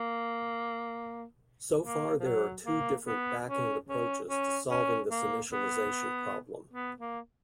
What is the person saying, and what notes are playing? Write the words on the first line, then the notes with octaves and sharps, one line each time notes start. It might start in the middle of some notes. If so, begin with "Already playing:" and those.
So far there are two different backend approaches to solving this initialization problem.
Already playing: A#3
A#3
F3
F#3
A#3
B3
C#4
C#4
C#4
C#4
A#3
B3
B3
A#3